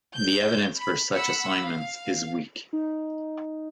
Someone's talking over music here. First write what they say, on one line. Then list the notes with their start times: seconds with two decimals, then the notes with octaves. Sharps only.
The evidence for such assignments is weak.
0.15 G6
0.78 B5
1.12 F#5 B5 E6
1.63 F5
2.73 D#4